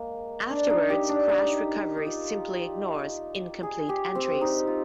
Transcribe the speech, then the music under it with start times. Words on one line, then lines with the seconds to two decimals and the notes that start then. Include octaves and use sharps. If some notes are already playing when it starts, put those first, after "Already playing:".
Afterwards, crash recovery simply ignores incomplete entries.
Already playing: G#3 A#3
0.50 D4
0.70 D#4
0.90 G4
1.09 D4
1.29 D#4
1.97 D#4
2.06 F4
3.63 G#4
3.89 G4
4.15 C4
4.41 D#4
4.67 F4